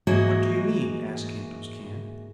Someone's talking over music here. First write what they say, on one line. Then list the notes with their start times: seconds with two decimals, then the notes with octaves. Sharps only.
"What do you mean?" asked Kantos Kan.
0.07 G#2 E3 A#3 F#4 G#4 D#5